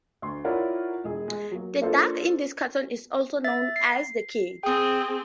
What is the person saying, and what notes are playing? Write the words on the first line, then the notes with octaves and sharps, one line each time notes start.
The duck in this cartoon is also known as "The Kid".
D2 C6
E4 F4 A#4 C#5 D5 F#5
E1 G#4
G#3
F#3 A#3
A#3 D4 F4 A4 C5
E5 A6
C7
C4 G#4 G5 D#6